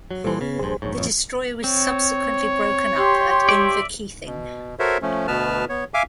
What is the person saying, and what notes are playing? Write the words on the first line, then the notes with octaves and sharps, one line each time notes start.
The destroyer was subsequently broken up at Inverkeithing.
F#3
A#2 E3 G3 A4 C5
C#3 B3
A#1 G2 G#4 C5
D#1 A#1 G#2 C#5
A1 F2
C4 C#5
G4 C6
D5 E5
B2
F#4 A4 A#4 C5 C#5 E5
F3 A3 C#4
D2 B2 B3 B4 A5 F6
B3 C#5
E5 F5 G#5 D6